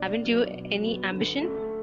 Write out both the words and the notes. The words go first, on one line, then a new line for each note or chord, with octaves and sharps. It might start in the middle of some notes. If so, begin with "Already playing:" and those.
Haven't you any ambition?
Already playing: B2 D4 D5
F#3 B3
B2
F#3 B3
D3
A3 C#4